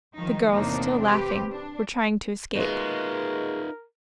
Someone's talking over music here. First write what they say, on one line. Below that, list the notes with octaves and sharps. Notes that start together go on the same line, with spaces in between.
The girls, still laughing, were trying to escape.
D#3 F3 D#4
E2 A2 C3 A#3 D4 D#4
C4 G4 B4
D4
B2 G#3 D#4 F4 A#4 B4